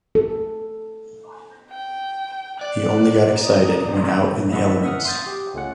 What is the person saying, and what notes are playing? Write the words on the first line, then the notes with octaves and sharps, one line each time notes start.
He only got excited when out in the elements.
A4
G5
D5 F#6
A#5 D#6
E4 D#5 E5 F#5 A5
E5 F#5 D#6 F6
C6 D#6 G6 A6
G4
C#2 G#3 A3 C#4 F4 F#5